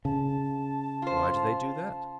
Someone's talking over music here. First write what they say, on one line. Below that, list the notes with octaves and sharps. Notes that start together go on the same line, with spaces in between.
"Why do they do that?"
C#3 A5
F4 C5